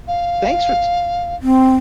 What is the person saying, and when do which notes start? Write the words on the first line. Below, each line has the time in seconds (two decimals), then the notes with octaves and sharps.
thanks for t
0.08 F5
1.42 C4